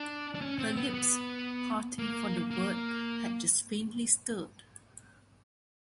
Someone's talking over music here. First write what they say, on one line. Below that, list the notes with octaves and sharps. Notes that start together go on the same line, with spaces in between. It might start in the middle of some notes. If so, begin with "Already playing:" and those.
Her lips, parting for the word, had just faintly stirred.
Already playing: D4
D4
C#4
C4
B3
B3
A#3
A#3